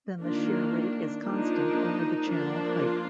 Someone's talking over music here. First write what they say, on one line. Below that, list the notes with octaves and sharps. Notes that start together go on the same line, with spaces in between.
Then the shear rate is constant over the channel height.
D#3 A#3 D4 F4
D4
F3 A#3 D4 D#4
F3 A#3 D4
F4